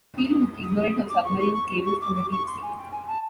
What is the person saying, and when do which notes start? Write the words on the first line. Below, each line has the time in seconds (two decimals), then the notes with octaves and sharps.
Field was ignorant of submarine cables and the deep sea.
0.17 D#6
0.63 D#6
1.09 D6
1.24 C#6
1.39 C#6
1.54 C#6
1.85 C#6
2.01 D6
2.15 D6
2.31 C#6
2.46 C6
2.62 G#5
2.77 G5
2.91 G#5
3.07 A5